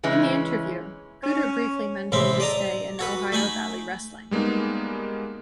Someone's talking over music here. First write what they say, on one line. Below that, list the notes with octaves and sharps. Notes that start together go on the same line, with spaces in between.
In the interview, Puder briefly mentioned his stay in Ohio Valley Wrestling.
C#3 E3 G#3 C#4
C#4
A1 A2 C3 G#3 C4 E5
D5 D#5 A5 A#5
F#4 A4 B4
A3 D#4 G#5 B5
G3 G#3 A#3 B3 D#4